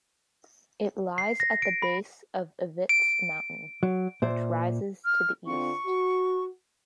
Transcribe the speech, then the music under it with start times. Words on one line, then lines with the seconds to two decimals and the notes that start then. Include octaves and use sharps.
It lies at the base of Evitts Mountain, which rises to the east.
1.18 C7
1.40 A#6
1.62 D7
1.82 B5
2.89 D7
3.83 F#3
4.22 A#2 C5 E5
5.05 F6
5.46 D3 C4 F4 C#6
5.86 F#4